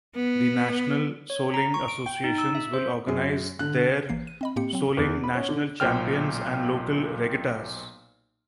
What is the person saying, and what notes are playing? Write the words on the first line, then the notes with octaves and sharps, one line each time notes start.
The National Soling Associations will organize there Soling National Champions and local regattas.
B3
C#5
A#5
C#6
D7
G5
D#4
E6
E5
C5
F#2 G#4
D3 F#6
A1 E3 A#3 C7
D#7
C4 D#5 B5
A2 A#3 C4 G4 C#7
F#3 C4
E2
B5
C#4
D3
B1 A#2 C5 G5 F6